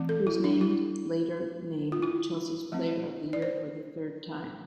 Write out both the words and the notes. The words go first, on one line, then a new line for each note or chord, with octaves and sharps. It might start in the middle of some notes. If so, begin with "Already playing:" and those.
He was named later named Chelsea's Player of the Year for the third time.
Already playing: E3 A3 C4
A4
E4
D4
E4
F4
E4
F3 A3 C4
D5
C5